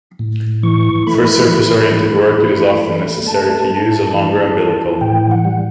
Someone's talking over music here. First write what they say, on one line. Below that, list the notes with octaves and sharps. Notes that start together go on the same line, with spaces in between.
For surface oriented work it is often necessary to use a longer umbilical.
A2
E3 C#6
A3 B5
E3
E3
A3
A3
A3 A5
A3
E3
E3
A2 G5
F#5
G3